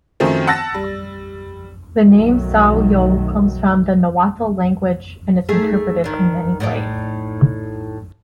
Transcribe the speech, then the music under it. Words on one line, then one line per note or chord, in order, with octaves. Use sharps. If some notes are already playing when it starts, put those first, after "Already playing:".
The name Sahuayo comes from the Nahuatl language, and is interpreted in many ways.
F#2 D#3 F3 A3 C4
F#5 A5 E6 A6 A#6
G3
B1 D#3 F#3 A3
A3 D#4 G#4
D#3 D4
A2 D#4 D5